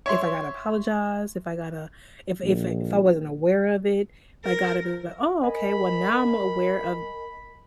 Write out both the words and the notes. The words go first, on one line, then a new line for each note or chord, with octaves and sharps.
if I gotta apologize, if I gotta if if if I wasn't aware of it, I gotta be like, "Oh, okay, well now I'm aware of
C#5 E5 C6
A#1
A#4
A#4 D#5 G#5 B5